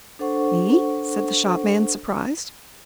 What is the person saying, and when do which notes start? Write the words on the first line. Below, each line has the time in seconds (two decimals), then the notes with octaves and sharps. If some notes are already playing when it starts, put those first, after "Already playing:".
"Me?" said the shopman, surprised.
0.19 D4 A4 C5 F#5 C#6